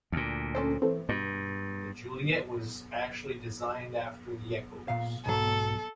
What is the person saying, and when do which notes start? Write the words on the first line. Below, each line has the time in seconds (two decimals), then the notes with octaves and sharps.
The Juliett was actually designed after the Echos.
0.12 D2 A#2
0.55 C#4 A4 C5
0.82 E3 A3 C4
1.09 G2 B2
4.88 A#2 F5
5.26 B1 G#2 F#3 A4